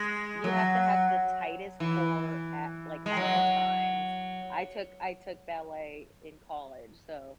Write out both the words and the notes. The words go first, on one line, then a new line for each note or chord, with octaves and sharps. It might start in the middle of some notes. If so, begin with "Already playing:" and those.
You have to have the tightest core at, like, at all times. I took I took ballet in college. So,
Already playing: G#3
F#3
E3
G#3
F#3